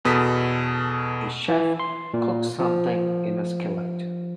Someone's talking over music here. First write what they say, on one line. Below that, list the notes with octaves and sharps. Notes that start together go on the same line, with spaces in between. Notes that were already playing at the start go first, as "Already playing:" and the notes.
A chef cooks something in a skillet.
E2 B2 A4 D#6 B6
E3
C6
A#2
F3